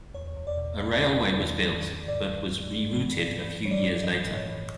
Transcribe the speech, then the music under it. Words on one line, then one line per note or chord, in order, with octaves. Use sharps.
A railway was built but was re-routed a few years later.
E2 C#5
E2
D5
B2
B2 D5
B2
E2
D#3
G#2
G#2
G#2 D5
G#2
G#2
G2
E3
G2
E3
E3
C#5
D5
G2
E3 D#5
A2
C#5
E3